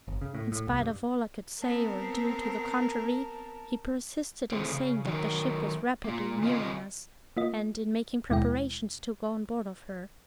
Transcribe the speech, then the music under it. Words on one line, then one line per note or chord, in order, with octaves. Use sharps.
In spite of all I could say or do to the contrary, he persisted in saying that the ship was rapidly nearing us, and in making preparations to go on board of her.
G1
C#3
A2
A2
C2
G2
B3 C4 A#4 A5
D#3 E3 A3 C4 G#4
C#3
D3 D#3 F#3 D#4 A#4
A#3 F4
D3 C4 F4 A#4 D#5 F5
A#3 F4 D#5
D#2 B2 G#3 E4 E5 G5